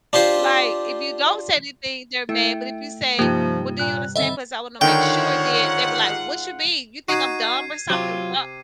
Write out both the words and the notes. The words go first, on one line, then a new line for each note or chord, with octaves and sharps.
Like, if you don't say anything, they're mad, but if you say, "Well, do you understand, 'cause I wanna make sure," then, they be like, "What's your beef? You think I'm dumb or something?" "What
D4 F4 G4 C5
A3 E4 E5 G5 C#7
G2 C3 F3 G3 A#3 D#4 F4 G4
A#2 F#6
D3 D#3 C4 D#5 E5 B5 E6 A6
G#2 D3 D#3 F4 C#5 F#5 G5
D#4 F#4 G#6 C7 D#7
C3 F#3 F4